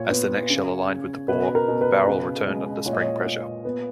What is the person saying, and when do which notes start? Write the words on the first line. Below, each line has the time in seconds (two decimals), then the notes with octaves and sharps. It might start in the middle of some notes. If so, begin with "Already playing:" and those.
As the next shell aligned with the bore, the barrel returned under spring pressure.
Already playing: A#2 C#5
0.11 B3
0.50 C#3
0.89 C#3
1.28 B2 B4
1.55 A#4
1.68 B2
1.81 B4
2.07 C#3
2.47 G#3
2.86 A#2 C#5
2.93 D#5
3.01 C#5
3.25 A#2
3.65 B3